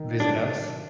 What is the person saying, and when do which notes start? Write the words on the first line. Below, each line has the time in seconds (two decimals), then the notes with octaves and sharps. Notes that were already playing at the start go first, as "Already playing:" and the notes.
visit us.
Already playing: D#3
0.20 F#3 D4